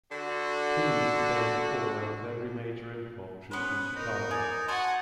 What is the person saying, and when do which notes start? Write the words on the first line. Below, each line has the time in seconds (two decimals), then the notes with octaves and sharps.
Teams began to form out of every major improv troupe in Chicago.
0.11 D3 D4 F#4
3.51 B3 C#4 B4 C5
3.96 D#4 A#4
4.31 D5 G#5 D#6
4.68 F#4 C#5 D#5 F#5 G#5 A5 C6